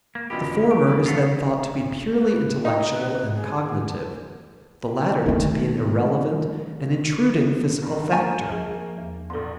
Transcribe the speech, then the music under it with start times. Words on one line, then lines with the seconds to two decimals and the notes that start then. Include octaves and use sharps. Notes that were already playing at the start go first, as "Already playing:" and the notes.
The former is then thought to be purely intellectual and cognitive; the latter to be an irrelevant and intruding physical factor.
0.15 A#3
0.30 F#2 B2 D3 F4 G4 D#5 B5
0.71 E3 D7
0.86 G#4 A#4 B4
1.06 E2 A3 F4 G#4 A4 F#5 A#6 C7
2.18 B4
2.65 D#4 E4
2.90 B4
3.35 G#4
5.26 D#3 A3 B3 D4
7.82 G2
8.12 A#3 G#5 A#5 C#6
8.49 F3 G#4
8.98 E2
9.30 A#1 E2 A4 C6